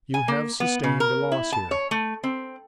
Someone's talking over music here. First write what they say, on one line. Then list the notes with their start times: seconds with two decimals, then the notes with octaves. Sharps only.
You have sustained a loss here.
0.14 G#5
0.28 A#3
0.60 B3
0.84 C#3
1.00 A#4
1.32 E4
1.52 A5
1.71 C#5
1.91 A3
2.24 C4